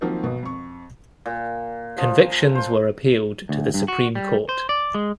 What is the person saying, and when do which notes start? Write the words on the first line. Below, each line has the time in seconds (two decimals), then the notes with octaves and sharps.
Convictions were appealed to the Supreme Court.
0.01 D#3 F3 F#3 A#3 C4
0.23 B1 B2
0.43 F2 C#6
1.26 A#2
1.98 F3
2.55 C5
3.49 D2
3.74 G2
3.88 F#4
4.15 G3
4.49 C5
4.69 D5
4.94 G#3